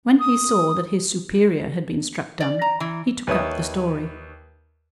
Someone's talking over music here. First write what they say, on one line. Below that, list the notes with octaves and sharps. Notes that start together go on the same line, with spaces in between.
When he saw that his superior had been struck dumb, he took up the story.
D#6
D5
A#5
E3
D#2 B4 C#5 E5 D#6